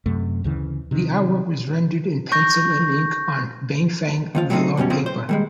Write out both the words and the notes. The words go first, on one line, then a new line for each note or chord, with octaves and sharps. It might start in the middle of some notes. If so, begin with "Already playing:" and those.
The artwork was rendered in pencil and ink on Bienfeng velour paper.
F#2 C3 A3
D2 C#3 E3
C3 D#3
C#6 G6 A#6
D#2 F3 F4
F#3 G3 A3 C4 D#4
F#2 B2 G3 C#4
C#3 F3 C4
C5
D#2 G3 G#3